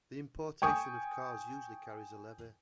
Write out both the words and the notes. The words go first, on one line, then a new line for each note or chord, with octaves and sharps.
The importation of cars usually carries a levy.
G5 G#5 C#6 D#6